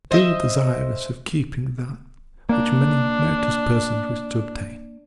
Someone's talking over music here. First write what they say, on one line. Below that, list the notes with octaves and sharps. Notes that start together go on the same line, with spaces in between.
Unduly desirous of keeping that which many meritorious persons wish to obtain.
C5 D#5 E5
A#3 D4